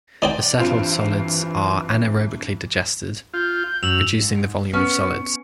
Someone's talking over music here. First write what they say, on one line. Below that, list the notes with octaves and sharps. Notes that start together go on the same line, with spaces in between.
The settled solids are anaerobically digested, reducing the volume of solids.
D#4 C5 D5 G5
G2 E3 C4 F4
F4 G6
F#2 E6 F7 F#7
G#2
B3 C#4